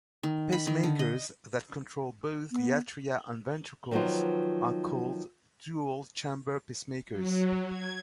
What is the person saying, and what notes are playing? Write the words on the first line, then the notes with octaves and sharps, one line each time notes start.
Pacemakers that control both the atria and ventricles are called dual-chamber pacemakers.
D#3
B5
D#3
D3
D#5
B3
D#3 F3 F#3 B3 D#4 F4
F#3
G#6